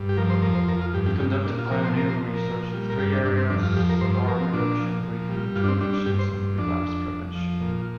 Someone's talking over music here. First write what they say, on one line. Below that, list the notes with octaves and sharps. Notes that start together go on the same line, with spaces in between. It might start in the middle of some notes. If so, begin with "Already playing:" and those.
He conducted pioneering research in three areas: harm reduction, brief interventions, and relapse prevention.
Already playing: G2
G4
F3 A#4
C5
F2 A#4
C5
F2 A#4
F4
G2 G4
G4
G2 G4
G4
A#2 D4
F4
F3 A#4
C5
A#2 A#4
C5
F3
A#4
A#2
G3
A#4
G2 G4
D4
G2 D4
C4
F2 D4
F4
F3 G4
A#4
G2 C5
C5
F3 A#4
C4
A#2 D4
F3
A#2
G3
G2 F4
D4
C4
G3 D4
D4
G2 G4
C5
G2
F2 D4
F2
F2
F3
A#2